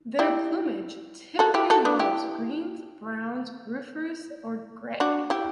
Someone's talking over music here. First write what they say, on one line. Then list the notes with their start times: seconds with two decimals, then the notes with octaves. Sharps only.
Their plumage typically involves greens, browns, rufous or grey.
0.19 E4 G4
1.39 F#4 A4
1.54 E4 G4
1.70 F#4 A4
1.85 B3 D4
1.99 E4 G4
5.00 D4 F#4
5.30 E4 G4